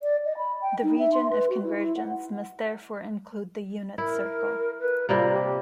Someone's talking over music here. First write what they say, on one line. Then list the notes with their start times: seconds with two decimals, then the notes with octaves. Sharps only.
The region of convergence must therefore include the unit circle.
0.02 D5
0.25 D#5
0.37 B5
0.61 G5
0.83 D#4
0.99 E5
1.13 C6
1.30 B4
1.50 F#4
1.63 E4
1.79 E4
1.97 F#5
3.98 E4 A#4
4.79 B4
5.09 C3 G3 A#3 F4
5.32 G4